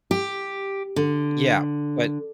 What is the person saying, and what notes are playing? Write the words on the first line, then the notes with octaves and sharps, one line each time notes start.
Yeah, but
G4
D3